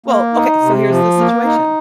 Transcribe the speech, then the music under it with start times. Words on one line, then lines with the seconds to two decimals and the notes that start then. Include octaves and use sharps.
Well, okay, so here's the situation,
0.06 A#3
0.34 D#4
0.62 C3
0.89 F3
1.17 A#3
1.44 D#4